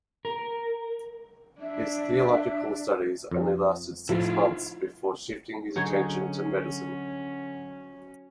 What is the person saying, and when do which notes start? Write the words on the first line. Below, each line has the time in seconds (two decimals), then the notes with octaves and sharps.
His theological studies only lasted six months before shifting his attention to medicine.
0.25 A#4
1.61 D4 E5
3.31 F2
4.09 A2 F3 E4 F4
5.76 D3 F#3 C#4 D#4 G#4 C#5 C#7